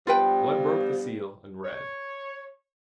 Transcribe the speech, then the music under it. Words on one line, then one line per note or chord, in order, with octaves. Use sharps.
Blood broke the seal, and read.
G2 F3 B3 F4 B4 G5
C#5